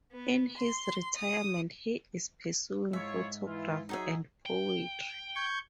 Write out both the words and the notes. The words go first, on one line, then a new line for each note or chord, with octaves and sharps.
In his retirement he is pursuing photography and poetry.
B3
C6
D#6
G#2 E4 F4 C#5 E5
E3 E4 F4
F#3 D#4 F#4 G#4 E5
G5
C#6 G6 G#6